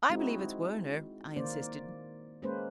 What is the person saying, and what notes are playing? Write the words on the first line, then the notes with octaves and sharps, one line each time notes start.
"I believe it's Werner," I insisted.
G#3 C4 D#4 E4 F#4
D#3 A#3 C5 D5
G#3 A#3 C#4 B4 C5